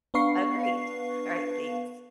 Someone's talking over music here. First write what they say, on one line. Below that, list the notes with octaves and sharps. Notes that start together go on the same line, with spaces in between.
Agreed. Alright, thanks.
B3 D4 B4 F5 C#6 C7